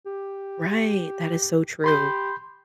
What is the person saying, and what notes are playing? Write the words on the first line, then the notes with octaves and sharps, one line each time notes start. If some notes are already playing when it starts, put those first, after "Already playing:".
Right, that is so true.
G4
G4 B5 C6 G6